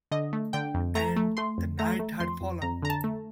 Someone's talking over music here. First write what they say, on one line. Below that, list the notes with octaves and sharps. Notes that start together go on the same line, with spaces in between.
And the night had fallen.
D3 D#5
A3
D3 G5
F2
A3 A#5
A3
A3 C6
F2
A3 A#5
A3
F2 C6
F2
F2 A#5
D3 A#5
A5
A3